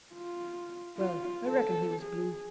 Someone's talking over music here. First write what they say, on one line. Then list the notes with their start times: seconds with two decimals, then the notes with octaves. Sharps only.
Well, I reckon he was blue.
0.14 F4
0.97 F4
1.46 A4
2.02 G#4